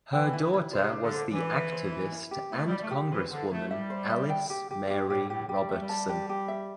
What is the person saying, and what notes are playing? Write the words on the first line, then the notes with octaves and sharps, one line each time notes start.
Her daughter was the activist and Congresswoman Alice Mary Robertson.
E3 G5
E4
E4
C3 C5
D4
D3
C5
E3 D4
E5
C5
E4
E4
G4
A3 E4
G3
D5
G3
A3
G4
E3 C5
D3 C5
A3 E4
G3 E5
C5
E5
G5
G4
G4
G2 G4
A2 G4
A2 G4
G3 G4
A3 E5
G3
A5
G4
G4
E5